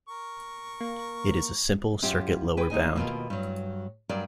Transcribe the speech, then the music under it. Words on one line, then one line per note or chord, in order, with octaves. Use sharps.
It is a simple circuit lower bound.
A#4 C#6
A#3
F#2 F4 G4
G#4 B4 G5
D#2 D#4 D#5 G#5
D#2 B2 F4 A#4
G2 F#3
G2 F#3 A#4 D5